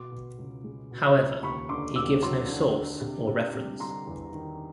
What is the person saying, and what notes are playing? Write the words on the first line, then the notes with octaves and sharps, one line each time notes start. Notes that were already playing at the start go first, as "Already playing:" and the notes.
However he gives no source or reference.
Already playing: B2 C6 D6
B2
C#2
G#3
B2
C#2
D#2 B5 C#6
D3 C6 D6
D#2 D6 E6
F#3 C6 D6
D3
D3
C3
C3
C3
G3 A#5 C6
E2
D#3